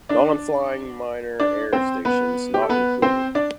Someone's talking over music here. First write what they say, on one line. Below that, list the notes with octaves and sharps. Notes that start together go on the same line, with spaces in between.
Non-flying minor Air Stations not included.
D4 D5
D4 D5
C4 C5
B3 B4
G4
A4
B3 B4
C4 C5
D4 D5